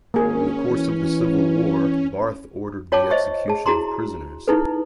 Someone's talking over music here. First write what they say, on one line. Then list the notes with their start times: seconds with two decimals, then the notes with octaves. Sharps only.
In the course of the civil war Barthe ordered the execution of prisoners.
0.14 G#1 A#3 C#4 G#4
0.70 E3
2.92 F4 C#5 G5 A5 D6
3.11 C5 D#5 E5 C#6
3.48 G#4 A5
3.66 E4 F#4 G#4 A#5 C6
4.48 D#4 E4 G#4 A4 B4